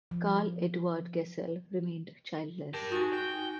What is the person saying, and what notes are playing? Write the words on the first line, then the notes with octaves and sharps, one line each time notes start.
Carl Eduard Gesell remained childless.
F3
G4 A#4 A5
D#4 F#4 G#5
G5